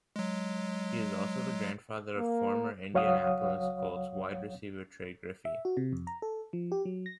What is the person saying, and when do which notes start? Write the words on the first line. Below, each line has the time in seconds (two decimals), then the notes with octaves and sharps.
He is also the grandfather of former Indianapolis Colts wide receiver Trey Griffey.
0.16 F#3 G#3
2.17 A#3
2.94 C#2 F#3 C#5 F5 F#5 D#6
5.45 E5
5.65 F#4
5.77 C3
5.93 F2
6.07 A#5
6.22 A4
6.53 F3
6.72 G4
6.85 F#3
7.06 A#6